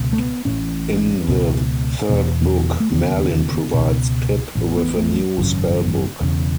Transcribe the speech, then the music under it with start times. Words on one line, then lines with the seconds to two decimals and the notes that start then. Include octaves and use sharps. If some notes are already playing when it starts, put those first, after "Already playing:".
In the third book, Merlin provides Pip with a new spell book.
Already playing: C#2 B2
0.13 A3
0.19 B3
0.45 A1 A2 C#4
1.28 C#2 B2
2.09 E1 E2 B2
2.80 A3
2.92 E1 D#2 C#3 B3
3.74 C#2 B2
4.55 A1 A2
4.77 B3
4.97 A3
5.38 G#1 F#2 C#3
6.21 E1 E2 C#3